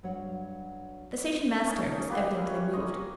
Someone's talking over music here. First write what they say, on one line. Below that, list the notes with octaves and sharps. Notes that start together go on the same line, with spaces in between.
The station-master was evidently moved.
G2 F#3 F#4 C#5 F#5
C#4 D#4
A#3 G4 B4 E5
C#5
D#5 C6 C#6